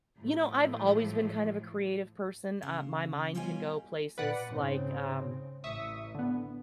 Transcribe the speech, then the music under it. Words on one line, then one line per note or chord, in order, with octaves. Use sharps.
you know, I've always been kind of a creative person, uh, my mind can go places like, um,
A2 F3
C#3
B2 G3 F4 C#5 D#5 G#5
A#2 B4 D5 F#5
G#2 C#3 C4
A1 E5 C#6 D#6
D3 B3